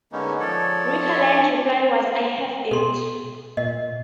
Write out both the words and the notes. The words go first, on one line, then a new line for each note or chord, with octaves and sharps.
Birkeland's reply was, I have it!
D3 G#3 A#3 B3 C#4 D#4
F3 A4 C#5 D5
B2 A4 C6
A#2 D#5